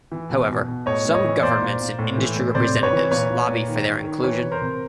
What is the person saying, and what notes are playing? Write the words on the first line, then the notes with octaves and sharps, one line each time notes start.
However, some governments and industry representatives lobby for their inclusion.
E3
B2
B2
B2
A2 C#5 D#5
A2
C#5 D#5
E3
A#2 C5 D5
A#2
A#2
A2
E3
A2
C3 C5 D5
C3
B4 C#5
E3
A#2 B4 C#5
A#2
A#2
D#3
D#3
D#3
E3 B4 C#5
E3
A#4 C5
C3